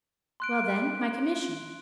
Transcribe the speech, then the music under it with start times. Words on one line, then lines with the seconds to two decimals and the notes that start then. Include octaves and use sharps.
"Well, then,--my commission?"
0.40 C6 F#6 D7